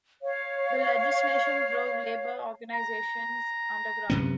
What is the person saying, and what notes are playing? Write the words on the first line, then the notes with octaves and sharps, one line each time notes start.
The legislation drove labour organisations underground.
C#5 F5
A#5
F#2 C3 B3